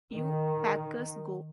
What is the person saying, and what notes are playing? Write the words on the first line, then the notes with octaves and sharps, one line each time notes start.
You Packers Go!
D#3